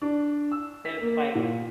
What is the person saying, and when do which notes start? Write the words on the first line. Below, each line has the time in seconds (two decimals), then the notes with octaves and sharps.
that's, like,
0.02 D4
0.52 E6
0.85 B6
1.02 A#3
1.35 A#2